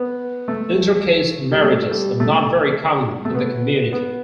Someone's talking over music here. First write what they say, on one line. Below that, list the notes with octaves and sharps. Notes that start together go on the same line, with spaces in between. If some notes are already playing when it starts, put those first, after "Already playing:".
Inter-caste marriages are not very common in the community.
Already playing: B3
A3
G3
A3
G3
A3
A3
B3
B3